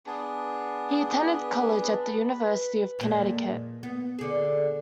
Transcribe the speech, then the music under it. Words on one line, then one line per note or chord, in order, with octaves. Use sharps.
He attended college at the University of Connecticut.
B3 D4 G#4
B4
F2 A#2 G#3
B3
D3 G#4